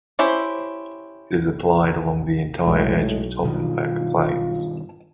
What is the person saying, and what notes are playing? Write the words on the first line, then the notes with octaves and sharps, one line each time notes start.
It is applied along the entire edge of top and back plates.
C#4 E4 G4 C5
B1 A2 G#3
G2 B2 D#3 F4